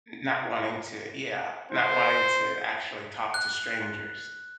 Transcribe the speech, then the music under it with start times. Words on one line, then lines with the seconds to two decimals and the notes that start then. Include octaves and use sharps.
not wanting to yeah, not wanting to actually talk to strangers.
1.72 C5
3.34 F#6